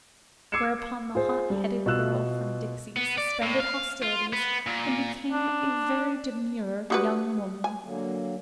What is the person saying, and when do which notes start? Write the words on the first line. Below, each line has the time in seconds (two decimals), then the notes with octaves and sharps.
Whereupon the hot-headed girl from Dixie suspended hostilities and became a very demure young woman.
0.52 D6 E6 G#6 C7 C#7 E7
1.15 F4 G#4 C5
1.50 G3 G4
1.86 B2 F4 E6 F#6 E7
2.97 B3
3.18 D5
3.42 A2
3.60 F5
4.02 F4
4.33 B3
4.67 A#2
5.32 D4
6.90 D3 F#4 G4 B4 D#6
7.64 G#5
7.84 D3 F#3 A#3